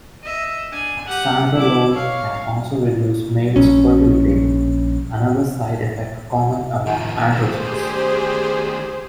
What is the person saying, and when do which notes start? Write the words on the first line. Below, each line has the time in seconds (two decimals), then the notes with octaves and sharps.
Oxandrolone can also reduce males' fertility, another side effect common among androgens.
0.23 D#5 E5
0.71 D4 G#5
1.07 G4 F#5
1.55 E4 D6
1.93 C#5 F5
3.56 A#1 C#4
6.87 D#3 F3
7.32 D#3 A3 G4 G#4 C5